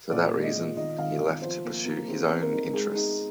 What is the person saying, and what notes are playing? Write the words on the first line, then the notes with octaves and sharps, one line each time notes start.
For that reason, he left to pursue his own interests.
A#2 D5
G#3
D#5
F4
D#3 D#5
D#3 F5
D#3
F3 C5
A#3
A#3
C4 G#4
C4
A#4
D#4
G#3 G#4
D#4 G#4